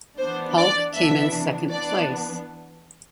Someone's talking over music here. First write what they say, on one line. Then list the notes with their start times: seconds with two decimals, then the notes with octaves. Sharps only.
Paulk came in second place.
0.18 E3 B3 D4 C5
0.57 D5
0.95 C3 E3 B3 D4 E5
1.71 E3 B3 D4 D5